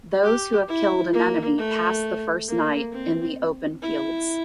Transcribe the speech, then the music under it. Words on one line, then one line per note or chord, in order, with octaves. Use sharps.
Those who have killed an enemy pass the first night in the open fields.
G4
E4
A#3
A3
A#3
C4
E4